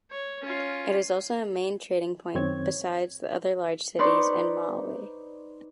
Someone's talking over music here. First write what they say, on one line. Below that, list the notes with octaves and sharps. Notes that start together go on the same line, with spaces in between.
It is also a main trading point besides the other large cities in Malawi.
C#5
C#4 F4
F#2 D#3 C4 C#5 G#6
D#4 B4 C5 D5 C6 C#6